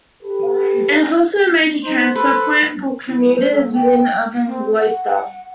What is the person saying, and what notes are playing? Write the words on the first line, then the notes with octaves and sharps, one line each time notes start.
It is also a major transfer point for commuters within urban Gloucester.
G4 A4 B4
D#4 C5
A4 B4
E4
C5
A4
G5
C4
F#5